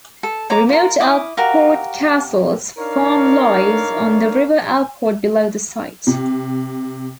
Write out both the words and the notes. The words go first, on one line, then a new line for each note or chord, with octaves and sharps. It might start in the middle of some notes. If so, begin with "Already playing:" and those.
The remote Alport Castles Farm lies on the River Alport below the site.
A4
C#5 A#5 D6
F4 A#4
E4 D6 D#6
F#4 G4 A#4 F5
D4 D#4 A#4 C#5 D5 F5
C3